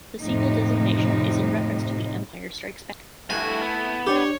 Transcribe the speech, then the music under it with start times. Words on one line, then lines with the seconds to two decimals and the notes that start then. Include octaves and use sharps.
The sequel designation is in reference to "The Empire Strikes Back".
0.21 F2 A2 C3 D#4
3.30 G2 A3 E4 F#4 G#5
3.61 B3
4.07 D4 G4 C#5